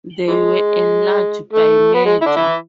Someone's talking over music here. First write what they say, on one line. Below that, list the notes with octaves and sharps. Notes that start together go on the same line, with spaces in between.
They were enlarged by merger.
E3 G#3
A3
B3
G#3
E4
D3 D4
E3 E4